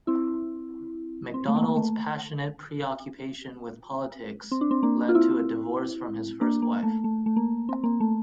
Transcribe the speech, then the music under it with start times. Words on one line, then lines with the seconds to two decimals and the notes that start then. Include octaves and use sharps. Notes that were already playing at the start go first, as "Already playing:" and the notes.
McDonald's passionate preoccupation with politics led to a divorce from his first wife.
0.07 C4 E4
1.34 C4
1.48 A3
1.56 A#3
1.77 A3
4.52 C4
4.61 D4
4.71 C4
4.83 A#3 D4
5.09 F4
5.15 C4 E4
6.41 A#3 D4
6.62 A#3
6.83 A3
7.04 A3
7.26 A3
7.36 A#3
7.69 C4
7.84 A#3
8.00 A3